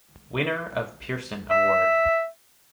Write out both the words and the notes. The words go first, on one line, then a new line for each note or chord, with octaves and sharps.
Winner of Pearson award.
E5